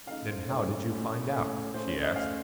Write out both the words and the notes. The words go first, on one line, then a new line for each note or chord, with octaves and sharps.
"Then how did you find out?" she asked.
C#3 A3 D#4 F5
C5
C#3 A3 D#4 C#5
A2 A3 C#4
A2 A3 C#4
C#3 A3 C#4 C5
C#5
D#5
C#3 A3 C#4 F5